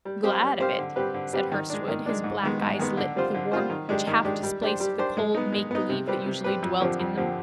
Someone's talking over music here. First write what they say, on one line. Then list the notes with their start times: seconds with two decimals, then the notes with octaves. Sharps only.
"Glad of it," said Hurstwood, his black eyes lit with a warmth which half displaced the cold make-believe that usually dwelt in them.
0.05 G3
0.24 C4 G4 C5 F5
0.42 G3
0.60 C4 G4 C5 F5
0.79 D3
0.96 G3 C4 G4 B4
1.14 D3
1.33 G3 C4 G4 B4
1.52 D#3
1.70 G#3 D4
1.88 D#3
2.06 G#3 D4
2.24 G#2
2.43 D#3 G#3 B3
2.61 G#2
2.79 D#3 G#3 B3
2.97 D3
3.16 G3 C4 F4 C5
3.34 D3
3.52 G3 C4 F4 C5
3.70 D#3
3.89 G#3 D4 G4
4.07 D#3
4.25 G#3 D4 G4
4.43 G3
4.62 D4 G4 C5
4.80 G3
4.98 D4 G4 C5
5.17 G#3
5.35 B3 D#4
5.52 G#3
5.71 B3 D#4
5.89 C3
6.07 G3 C4 G4 B4
6.26 C3
6.44 G3 C4 G4 B4
6.62 F2
6.80 D3 F3 C4 G4
6.99 F2
7.17 D3 F3 C4 G4